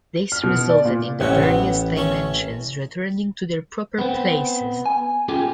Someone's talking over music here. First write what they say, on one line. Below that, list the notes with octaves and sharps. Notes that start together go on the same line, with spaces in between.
This resulted in the various dimensions returning to their proper places.
F6
B2
D5
A#2
A1 C3 C4 C#4 F#5
B3
A3 C#4 C#6
B3 C4
G#5
C#4 F4 G4 G#4